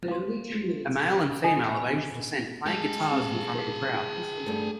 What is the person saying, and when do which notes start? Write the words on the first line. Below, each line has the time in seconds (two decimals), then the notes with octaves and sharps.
A male and female of Asian descent playing guitars in front of a crowd.
0.08 F5 C6
1.44 F4 A4 D#5 G#5 B5
1.77 B5
2.66 G#3 G#4 A5
4.46 G2 A3 A4